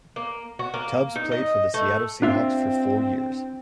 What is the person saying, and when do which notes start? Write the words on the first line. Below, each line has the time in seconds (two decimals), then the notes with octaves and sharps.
Tubbs played for the Seattle Seahawks for four years.
0.16 A#3
0.59 F#4
0.74 A#3
1.16 D#4
1.32 D#5
1.74 A3
2.22 C4 D4 F4 E5